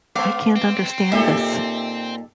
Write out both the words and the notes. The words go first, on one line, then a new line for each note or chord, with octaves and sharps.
I can't understand this!
G#3 B3 F5 D6
C4
A#2 D#4 G4 A4 E5